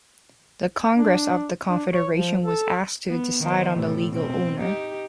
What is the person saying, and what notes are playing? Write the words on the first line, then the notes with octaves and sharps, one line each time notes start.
The Congress of the Confederation was asked to decide on the legal owner.
D4
D4
C#5
F3
A4
B3
D#3 B3 C5
A2 C3 A3
B2 C4
D#4 G4